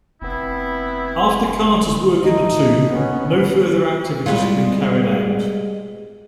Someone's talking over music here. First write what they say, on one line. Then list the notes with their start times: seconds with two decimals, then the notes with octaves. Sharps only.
After Carter's work in the tomb, no further activities have been carried out.
0.22 F1 B3 C4 E4
2.23 A3 D#4
2.90 B3 C#4
4.26 G3 G#3 F4